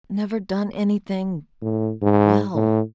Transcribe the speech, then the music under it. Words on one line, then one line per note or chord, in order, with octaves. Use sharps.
Never done anything--WELL....
A2
G#2
A2